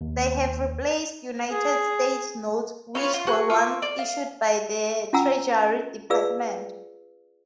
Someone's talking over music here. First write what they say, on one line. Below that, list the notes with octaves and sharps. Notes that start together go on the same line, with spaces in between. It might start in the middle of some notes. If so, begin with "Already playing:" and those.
They have replaced United States Notes, which were once issued by the Treasury Department.
D#2
G#4
C#4 F4 B4 C#5
F4
F#4 G#4 F#6
F4 C#6 D6 E6
D5
F5
C#4 F4 F#5 G#5 A#5 E6
F4 G#4 B4 D5 F5 E6